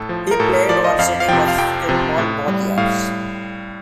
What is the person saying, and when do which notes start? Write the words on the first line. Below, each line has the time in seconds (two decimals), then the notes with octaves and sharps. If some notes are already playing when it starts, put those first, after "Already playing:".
He played varsity basketball both years.
Already playing: A2 A4
0.09 F3
0.31 A#4
0.40 A2 A4
0.54 A#4
0.69 F3 D5
0.84 D#5
0.99 F2 F5
1.20 F5
1.28 C3 F3 G5
1.48 F5
1.58 F2 G5
1.89 C3 F3
2.18 A2
2.48 G3
2.77 A2 F5